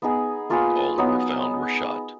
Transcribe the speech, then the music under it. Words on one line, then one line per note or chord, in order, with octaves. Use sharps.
All who were found were shot.
B3 D#4 G#4
A#3 F4 G#4 B4
F#3 B3 D#4